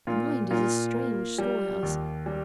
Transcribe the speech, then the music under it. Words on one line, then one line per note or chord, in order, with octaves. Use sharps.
The mind is a strange storehouse.
A#2 F4
A#2 F4
A#3
G3
D#2
G3